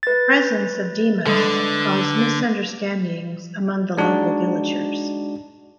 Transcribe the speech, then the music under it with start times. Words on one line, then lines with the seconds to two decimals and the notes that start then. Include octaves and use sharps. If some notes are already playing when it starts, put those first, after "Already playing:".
The presence of Dimas caused misunderstandings among the local villagers.
0.03 B4 A6
1.26 D3 G3 G#3 A4
3.97 G#3 D4 D#4 F#4